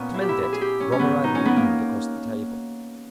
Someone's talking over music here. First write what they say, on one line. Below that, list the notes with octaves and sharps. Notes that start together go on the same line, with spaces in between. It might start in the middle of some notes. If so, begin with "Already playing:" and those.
To mend it, Romarin leaned across the table.
Already playing: A#2 B3 C#4
E4
G4
E4
E4
G#4
G4
C#4
C#4
G#2 D#3 B3
D#4
C#4
B3
A#3